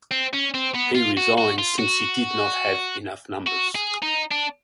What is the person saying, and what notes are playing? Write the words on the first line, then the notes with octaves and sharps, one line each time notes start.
He resigned since he did not have enough numbers.
C4
C#4
C4
B3
F4
F#4
F#4
F4
F#4
F#4
G#4
D#4
D4